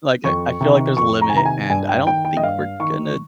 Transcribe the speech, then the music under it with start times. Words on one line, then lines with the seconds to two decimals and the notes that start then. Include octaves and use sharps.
like, I feel like there's a limit and I don't think we're gonna
0.24 F2 C#6
0.61 C3 D#3
0.97 F2 C#6
1.21 A#5
1.30 G#5
1.34 C3 D#3 A#5
1.45 G#5
1.70 G2 G#5
1.89 G5
2.07 D#3 G5
2.25 G5
2.37 D#5
2.43 G2 F5
2.79 D#3 C#6